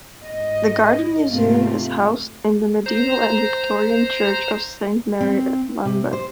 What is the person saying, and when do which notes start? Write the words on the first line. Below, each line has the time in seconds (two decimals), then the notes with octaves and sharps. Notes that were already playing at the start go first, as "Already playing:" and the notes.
The Garden Museum is housed in the medieval and Victorian church of Saint Mary-at-Lambeth.
0.24 G#2 D#5
1.28 G#2 C3 A3 A#3 C4 F4
2.86 C5 A#5
5.21 C4
5.85 C3
6.13 C5